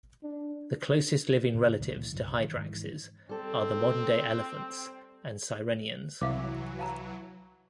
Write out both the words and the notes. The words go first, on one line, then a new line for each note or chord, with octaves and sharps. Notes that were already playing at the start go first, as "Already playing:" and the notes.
The closest living relatives to hyraxes are the modern-day elephants and sirenians.
D4
A2 C#3
C#2 A#2 D#3 G3
A#2 E3
C2 G2 D3 F#3
D#3
G#2 D#3 E3
G3 C4 A4
C2 E3 F#3 E5 F5 D6
F5 A5 A#5